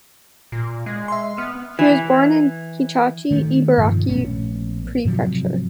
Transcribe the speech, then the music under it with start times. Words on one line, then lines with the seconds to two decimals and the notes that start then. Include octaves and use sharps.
He was born in Hitachi, Ibaraki Prefecture.
0.52 A#2
0.86 G#3
1.08 E5 C6
1.38 B3 F6
1.79 E3
3.31 D#3 A3
3.78 G2 B2 D#3 F3
4.09 A#1 A3 B3 C#4
5.05 G#2 C3 F3 F#3